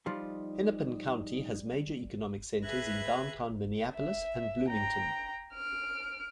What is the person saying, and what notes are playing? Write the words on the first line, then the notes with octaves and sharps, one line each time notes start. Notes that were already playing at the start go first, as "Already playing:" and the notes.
Hennepin County has major economic centers in downtown Minneapolis and Bloomington.
F3 G3 D#4 F4
G#4 B4 E5 F#6 G#6 A#6
E5
G5 A#5
F6 D7